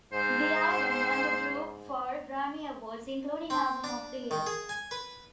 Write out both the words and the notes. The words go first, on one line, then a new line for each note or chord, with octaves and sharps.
The album won the group four Grammy Awards, including Album of the Year.
G#2 C5
C4
D4
D#3
G#4
G#5
B4